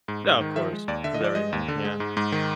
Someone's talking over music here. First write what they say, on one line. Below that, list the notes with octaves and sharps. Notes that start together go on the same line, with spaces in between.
Yeah of course, with everything. Yeah.
G#2
G#2
D#3
F3 E5
G#3
D#2 D5
D3 E5
D#5
F3 D5
G#3 D#5
D#2
D3
G#3
G#2
G#2
D#3